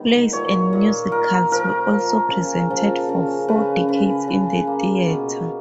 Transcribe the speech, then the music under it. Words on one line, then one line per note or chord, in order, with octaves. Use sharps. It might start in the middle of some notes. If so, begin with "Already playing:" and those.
Plays and musicals were also presented for four decades in the theatre.
Already playing: D#3 G#3 B3
A#2 C#5
A#2
A#2 A#4
F3 A#4
F3
C#3
F3
C#3
C#3 B4
C#3 B4
C#3
A#3
B2